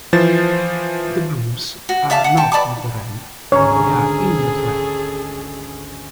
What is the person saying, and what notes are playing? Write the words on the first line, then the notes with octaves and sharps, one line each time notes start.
The grooves are not the tread, they are "in" the tread.
E3 F3 C5 A6
F#4
D5 E5 F5 A5
F#5
G5 A5
B4 D5 A5 D6
G#1 D2 C#4 G#4 A4 C#5 A#5